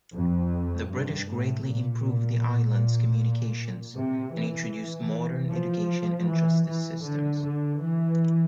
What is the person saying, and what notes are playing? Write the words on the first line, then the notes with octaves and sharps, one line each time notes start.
The British greatly improved the islands' communications, and introduced modern education and justice systems.
F2
G2
A2
A#2
C3
E3
F3
E3
E3
D3
D3
E3